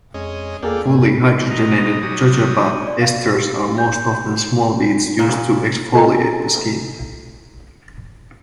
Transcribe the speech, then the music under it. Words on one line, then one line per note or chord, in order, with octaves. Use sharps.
Fully hydrogenated jojoba esters are most often small beads used to exfoliate the skin.
F2 G#3 C#4 D#5
E2 A#3 F4 G#4 A4 D5 G5
F#1 A2 G#4
B2 D#5 A#5
F#3 G3 D#6
D5
F5
G4
G6
A#2
F4 A4 D#5 G#5 A#5